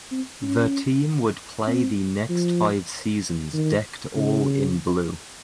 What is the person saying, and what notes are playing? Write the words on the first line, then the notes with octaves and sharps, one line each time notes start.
The team would play the next five seasons decked all in blue.
C4
C#4
C4
F3
D#3
C#3